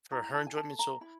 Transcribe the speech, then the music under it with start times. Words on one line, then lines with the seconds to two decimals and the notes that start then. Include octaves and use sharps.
for her enjoyment, so,
0.11 E4 A#5
0.34 A5
0.47 G#5
0.56 A4 A5
0.79 A#5
1.01 E4 B5